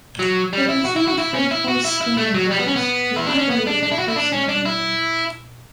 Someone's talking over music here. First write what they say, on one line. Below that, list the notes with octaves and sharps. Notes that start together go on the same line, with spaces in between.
It was named for the four Scammon brothers, who operated the first mine there.
F#3
G3
E4
F#4
E4
F#4
E4
C#4
E4
F#4
E4
E4
A3
F#3
G3
B3
C#4
B3
E4
D4
C#4
B3
D4
D4
E4
F#4
E4
D4
C#4
D4
E4